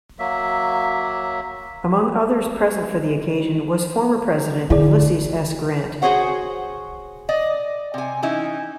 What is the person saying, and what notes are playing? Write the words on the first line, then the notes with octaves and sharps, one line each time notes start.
Among others present for the occasion was former President Ulysses S. Grant.
F#3 A#3 E5
D3 E4 G#4 D5
F#4 G#4 C5 C#5 F#5
D5 D#5
C3 G#5
E3 C#4 D#4 E4